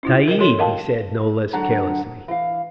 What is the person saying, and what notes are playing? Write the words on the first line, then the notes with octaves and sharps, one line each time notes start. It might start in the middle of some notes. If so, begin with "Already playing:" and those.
"Tayeeb," he said, no less carelessly.
C#4 E4 F4
A#4 D#5
F#4 A4 C#5 C6
A#4 D#5 F5 G5 A5
D3 F#3 D4 F#5 A#5
E3 F5